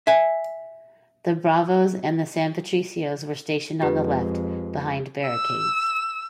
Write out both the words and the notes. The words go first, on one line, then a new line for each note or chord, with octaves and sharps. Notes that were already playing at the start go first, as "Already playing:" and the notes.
The "Bravos" and the "San Patricios" were stationed on the left, behind barricades.
E5 G#5
F2 G#3 F4 G4 B4
E6